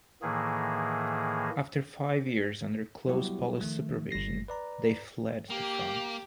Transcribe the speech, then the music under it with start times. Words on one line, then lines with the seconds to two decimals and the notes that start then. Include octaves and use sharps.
After five years under close police supervision, they fled to France.
0.22 A2 D#3 E3 A#3 G#4
3.08 F#3 G3 B3 E4 F#4 G4
3.61 D#3 F3 A3
4.11 G1 G3 A#6 C7
4.48 B4 D5 A#5
5.50 A#3 G4